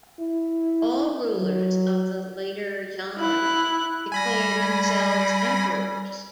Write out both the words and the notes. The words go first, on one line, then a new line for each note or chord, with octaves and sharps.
All rulers of the Later Yan declared themselves "emperors".
E4
F#3
E4 F#6
G3 G#5 B5 A#6